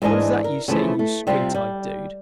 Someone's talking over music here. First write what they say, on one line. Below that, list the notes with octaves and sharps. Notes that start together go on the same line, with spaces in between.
What is that you say, you squint-eyed dude?
G#2 E3 D4 D#5 G#5
A#4
C#3 E3 F3 A3 E4
A3
C3 G3 C4 F4
G3